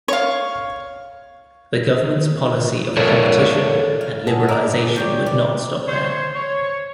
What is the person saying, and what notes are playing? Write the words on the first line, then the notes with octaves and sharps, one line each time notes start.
The government's policy of competition and liberalization would not to stop there.
C#5 F5
A4 A#4 C#5 D5
F5
G#4 A4 F#5
A#4 D5
G#4
G4 C#5 D5
D5
C5 C#5
C#5